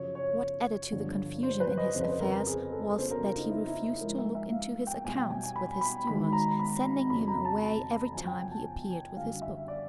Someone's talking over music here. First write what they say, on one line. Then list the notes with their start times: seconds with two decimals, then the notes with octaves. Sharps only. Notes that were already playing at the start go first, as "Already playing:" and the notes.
What added to the confusion in his affairs was that he refused to look into his accounts with his steward, sending him away every time he appeared with his book.
Already playing: F#2 C#3 F3 C#5
0.15 C#5
0.91 G2 D3 F3
1.43 C5
1.60 B4
1.78 D#5
1.94 F2 C#3 F3 C5
2.02 B4
2.09 C5
2.21 A#4
2.47 G#4
2.72 A4
2.98 E2 C#3 F#3 C5
3.11 A#4
3.24 F4
3.37 D#4
3.49 E4
3.66 E4
3.84 E4
4.01 G#2 F3 A#4
4.18 E5
4.35 E5
4.52 F5
4.87 G5
5.04 B2 G3 G#5
5.17 G5
5.30 G#5
5.43 G#5
5.56 B5
5.81 B5
6.07 G#2 D#3 F#3 B5
6.33 A#5
6.59 B5
6.84 B5
7.10 F2 C#3 F#3 B5
7.28 A#5
7.45 A5
8.13 F#2 C#3 F3 G#5
8.27 G5
8.39 G#5
8.51 A5
8.90 G#5
9.17 F#2 D3 G3 F5
9.42 E5
9.68 D5